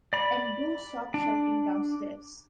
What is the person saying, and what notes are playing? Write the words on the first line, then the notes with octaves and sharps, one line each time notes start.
And do stop shouting downstairs.
D5 B5
D4